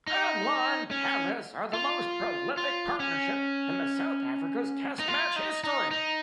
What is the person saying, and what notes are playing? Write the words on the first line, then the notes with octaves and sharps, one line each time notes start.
Amla and Kallis are the most prolific partnership in South Africa's test match history.
D#4
C#4
F4
F4
C#4
D#4
F4
D#4
D#4
D#4